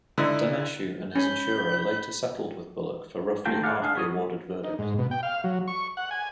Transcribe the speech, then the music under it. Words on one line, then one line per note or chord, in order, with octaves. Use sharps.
Daneshjou and his insurer later settled with Bullock for roughly half the awarded verdict.
D3 D#4 E4
C#4 G#5 B5 G6
D#3 A3 A#3 F4 G5
G#4 D5 F5 F#5
D4 G#4 F5
B3 C#5 D#6
G3
D#4
G#2
B2
G5
F5
F#3
C#6
F#5
G#5